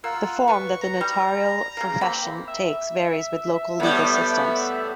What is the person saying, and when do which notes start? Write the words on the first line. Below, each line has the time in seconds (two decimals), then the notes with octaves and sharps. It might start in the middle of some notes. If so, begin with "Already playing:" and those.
The form that the notarial profession takes varies with local legal systems.
0.04 A#3 F4 F#5 E6
0.48 B4 C#6
0.81 A#5
1.01 G3
1.77 C#3 A#3
2.01 A#3 C4 B5
2.48 E5
3.80 A2 G3 B3